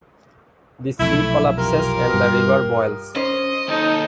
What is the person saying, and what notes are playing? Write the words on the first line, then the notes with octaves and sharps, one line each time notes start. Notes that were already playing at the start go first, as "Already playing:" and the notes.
The sea collapses and the river boils.
B1 F2 C3 A3 E4
F4 G4 A#4
G2
C#4 C5 D#5
D#2 D#4 A4